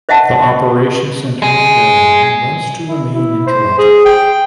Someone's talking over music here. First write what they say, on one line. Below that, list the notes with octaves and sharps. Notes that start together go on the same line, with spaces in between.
The operation centre of the airline was to remain in Toronto.
C5 D#5 E5 F#5 A5
G#3 G#4
E4
E4
C5
G#4
G5